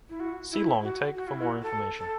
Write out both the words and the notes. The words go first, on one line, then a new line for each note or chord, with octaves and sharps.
See Long take for more information.
E4
F#4
E4
F#4
F#4
E4
F#4
A4
A4